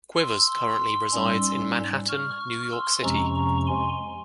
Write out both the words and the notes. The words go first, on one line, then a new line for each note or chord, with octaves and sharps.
Quivers currently resides in Manhattan, New York City.
C6 E6
G#2 G3 C#4
C#6 F6
C#6 F6
C6 E6
F2 C3 F3 G#3 C#4 A#5 C#6
A#5 C#6
G#5 C6